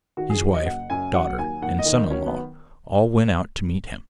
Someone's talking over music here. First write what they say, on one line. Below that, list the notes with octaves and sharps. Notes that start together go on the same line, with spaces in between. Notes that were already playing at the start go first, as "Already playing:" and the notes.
His wife, daughter, and son-in-law all went out to meet him.
D#3 F#4
G#4
F#3
D#5
F#1 F#5
F#2 G#5
F#3 F#5
D#2 G#5
D#2 F#5
D#5
D#3
D#4
F#3 C#4
B3